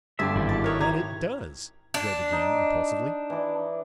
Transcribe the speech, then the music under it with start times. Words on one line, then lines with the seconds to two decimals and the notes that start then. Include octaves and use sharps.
"But it does"--Joe began, impulsively.
0.19 G1 G4 G#4 E5 A5 C6
0.36 G#1 E4 G4
0.49 A5
0.64 A#4 B4 C#5 D#6
0.81 A#5 G#6
1.94 D4
2.32 D#4
3.30 E3 D5